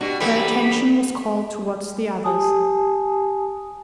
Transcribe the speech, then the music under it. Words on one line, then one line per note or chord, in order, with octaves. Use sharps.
Their attention was called towards the others.
B2 D4 F#4 G4
E3 F#3 G3 A3 B3 B5
G4 G#5 A5 D#6